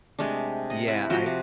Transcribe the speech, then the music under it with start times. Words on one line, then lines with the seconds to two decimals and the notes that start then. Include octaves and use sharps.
Yeah, I
0.19 C3 G#3 A3 D4
0.70 D#5
0.88 C4 E4 F#5
1.10 F3 F#4 A#5 C6
1.26 C3